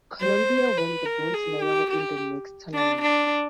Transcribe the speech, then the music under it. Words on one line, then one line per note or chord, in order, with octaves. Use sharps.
Colombia won the bronze medal in the mixed tournament.
C5
B4
A#4
G#4
G4
G4
D4
D4